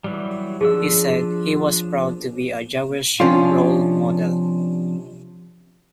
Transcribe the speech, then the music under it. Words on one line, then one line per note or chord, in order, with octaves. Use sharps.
He said he was proud to be a Jewish role model.
E3 F#3 G3
F3 D4 G#4 E6
C3 F3 C#4 D4 F4